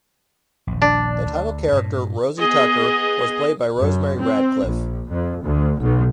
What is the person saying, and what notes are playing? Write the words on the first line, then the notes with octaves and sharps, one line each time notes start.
The title character, Rosie Tucker, was played by Rosemary Radcliffe.
D#1 A#1
D4
D2
G2 A#2
B3 G#4 D#5
F#2
C4
A#1
F2
D2
B1